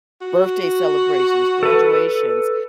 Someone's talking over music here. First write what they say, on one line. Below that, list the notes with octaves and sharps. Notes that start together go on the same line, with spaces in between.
birthday celebrations, graduations,
F#4
A4 B4